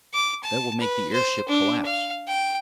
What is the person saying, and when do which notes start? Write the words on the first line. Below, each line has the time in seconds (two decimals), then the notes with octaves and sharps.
That will make the airship collapse.
0.14 D6
0.43 A5
0.80 B4
1.13 C5
1.48 D4
1.85 F5
2.28 G5